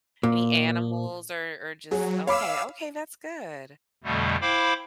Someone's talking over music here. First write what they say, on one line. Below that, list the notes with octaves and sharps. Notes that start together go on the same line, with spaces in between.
any animals? Or or just Okay, okay, that's good.
A#2
F#3 G#4
C#5 F5 B5 D6 E6
F2 B2 D3 G3 A3
E4 C5 F5 G5 B5 D6